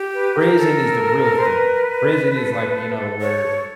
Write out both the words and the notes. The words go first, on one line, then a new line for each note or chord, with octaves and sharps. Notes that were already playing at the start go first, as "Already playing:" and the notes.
prison is the real thing. Prison is, like, you know, where,
Already playing: G4
B4
A#4
A4
C5
B4
A4
C#5